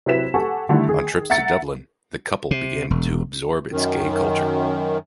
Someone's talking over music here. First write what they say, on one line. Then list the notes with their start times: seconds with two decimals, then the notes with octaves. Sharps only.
On trips to Dublin the "couple" begin to absorb its gay culture.
0.06 C3 F#3 E4 B4 B6 E7
0.34 G4 A4 F#5 G#5 C#6
0.69 D3 D#3 G3 A3 E4
0.89 D#3 G#4
1.30 E5 F#5 A#5 A6 C#7
2.51 C3
2.90 E1
3.71 F#2 D#3